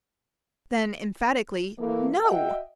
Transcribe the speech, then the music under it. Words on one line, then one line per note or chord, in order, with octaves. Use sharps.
Then, emphatically, "No!"
E3 A3 A#3
F#4 D#5 E5 F#5 G5